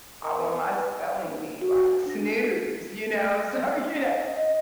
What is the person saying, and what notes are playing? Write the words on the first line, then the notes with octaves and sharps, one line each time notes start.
I won my spelling bee," like, snooze. You know? So, you kno
A#4 D#5 B5 C6
B4 G#5
F#4
D4 A#6
D#5